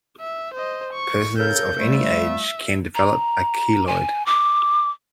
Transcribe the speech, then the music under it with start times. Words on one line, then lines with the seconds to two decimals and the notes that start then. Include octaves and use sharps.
Persons of any age can develop a keloid.
0.20 E5
0.54 C5 D#5
0.93 C#6
1.38 C#3 A4 A#4 G6
1.78 F3 G3 A3 E5
2.95 A#5
3.87 G#5
4.26 D6